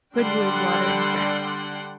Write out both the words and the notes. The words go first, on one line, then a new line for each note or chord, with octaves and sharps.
Good wood, water, and grass.
D3 G3 D4 F#5 G5 C6